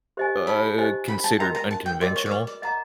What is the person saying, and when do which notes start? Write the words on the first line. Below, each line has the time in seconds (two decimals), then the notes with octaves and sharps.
uh, considered unconventional.
0.17 G4 C5 D#5 G#5
0.47 D#4 B5
0.78 G4 C5 D#5 G#5
1.08 C#4 B5
1.24 A5
1.39 F#4 A#4 D#5 G5 A#5
1.55 A#5
1.70 C#4 A5
1.86 G5
2.01 F#4 A#4 D5 D#5 G5
2.16 C#5
2.26 D5
2.31 B4 C#5
2.47 D5
2.62 D5 D#5 F#5 A#5